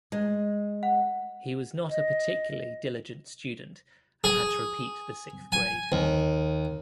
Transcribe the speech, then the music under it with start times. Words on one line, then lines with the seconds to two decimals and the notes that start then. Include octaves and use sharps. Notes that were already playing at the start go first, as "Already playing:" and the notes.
He was not a particularly diligent student and had to repeat the sixth grade.
0.12 G#3
0.83 F#5
1.90 D#5
4.24 G#4
5.52 G#5
5.92 D#2